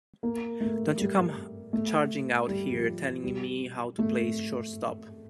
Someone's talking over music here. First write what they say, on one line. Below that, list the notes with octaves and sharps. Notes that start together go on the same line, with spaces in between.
Don't you come charging out here telling me how to play shortstop.
A#3
A3
G3
A3
G3
F3
G3
A3